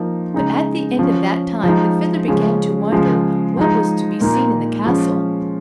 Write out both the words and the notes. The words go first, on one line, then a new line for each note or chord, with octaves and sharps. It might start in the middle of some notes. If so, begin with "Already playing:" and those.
But at the end of that time the Fiddler began to wonder what was to be seen in the castle.
Already playing: F3 A#3 D#4
C#3 G#3 D#4
F3 C#4
F3 G#3 D#4
C#3 F3 G#3 C#4
C#3 F3 G#3
F3 G#3 D#4
A#2 A#3 D#4
F3 G#3 C#4